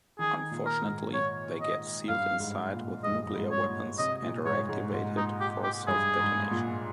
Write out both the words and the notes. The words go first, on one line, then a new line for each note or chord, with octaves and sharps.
Unfortunately they get sealed inside with nuclear weapons and are activated for self-detonation.
D#3 G#4
A#2
A#4
G#2
C#5
D#5
G2 F5
G#2
A#2
G#2 D#5
G2
G2
G#2
C#5
A#2
C3 D#5
A#2
G#2 C#5
G#2
G#2
D#4
G4
G4
G2 G#4
G#2
A#2